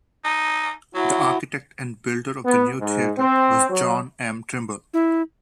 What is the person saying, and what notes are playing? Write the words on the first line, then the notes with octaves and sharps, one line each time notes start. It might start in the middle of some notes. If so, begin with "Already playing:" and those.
The architect and builder of the new theatre was John M. Trimble.
D#4
F#3 E4 F#4
B3
G#2
C4
F#3
E4